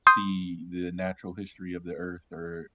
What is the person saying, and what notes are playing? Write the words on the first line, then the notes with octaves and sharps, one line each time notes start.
see the natural history of the earth or,
C6 D#6 G6